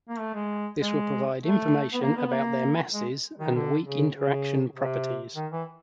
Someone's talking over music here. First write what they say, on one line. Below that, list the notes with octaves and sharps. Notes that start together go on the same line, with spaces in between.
This will provide information about their masses and weak interaction properties.
A#3
A3
G#3
G#3
A3
B3
A#3
B3
B3
A#3
G#3
D#3
D3
C#3
C#3
C3
D#3
E3